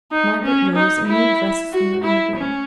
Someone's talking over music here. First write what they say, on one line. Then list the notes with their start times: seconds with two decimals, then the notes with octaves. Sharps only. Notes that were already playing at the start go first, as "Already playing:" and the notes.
Margaret rose, and moved restlessly around the room.
0.12 D#4
0.44 C#4
0.75 D#4
1.07 E4
1.72 F#4
2.04 E4
2.36 C#4